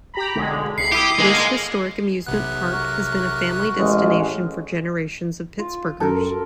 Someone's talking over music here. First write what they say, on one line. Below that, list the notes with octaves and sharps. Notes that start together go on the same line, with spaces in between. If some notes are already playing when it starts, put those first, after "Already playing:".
This historic amusement park has been a family destination for generations of Pittsburghers.
G4 A#5 B5
B1 D3 G#3
C2 B5 C7 C#7
E4 G4 D#6
D3 G#3 A#3 G#4
B1 C3 B3 F#6
F#4 A#4
A1 G#3
F4
F#2 A4 A#4